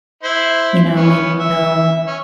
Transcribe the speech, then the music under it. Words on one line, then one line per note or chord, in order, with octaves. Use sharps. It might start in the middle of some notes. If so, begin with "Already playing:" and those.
you know, may they'll
E4 C5 E5
B3 C#4
E5
C#4